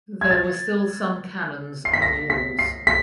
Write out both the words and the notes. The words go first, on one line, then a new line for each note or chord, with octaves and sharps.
There were still some cannons on the walls.
G#6
A6
C7
B6
A#6
B6
C7
B6